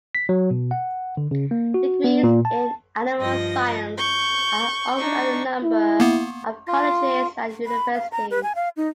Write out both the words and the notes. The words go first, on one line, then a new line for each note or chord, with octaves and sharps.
Degrees in Animal Science are offered at a number of colleges and universities.
B6
F#3
B2
F#5
D3
C#3
A#3
F#4
B3
A#2
A5
G2 F3 D#5 A#6
C#6 G6
D4 D#4 C#6
E4
A#3 B3
F4
B5
F5
A#5
B4
G#5
F5
D#4